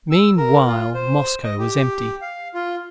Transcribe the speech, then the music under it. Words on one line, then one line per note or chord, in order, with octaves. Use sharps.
Meanwhile Moscow was empty.
E6
A#4
F4
C5
D#5
G4
F5
F4